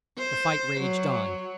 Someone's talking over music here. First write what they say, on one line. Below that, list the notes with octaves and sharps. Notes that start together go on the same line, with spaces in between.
The fight raged on.
C5
F#3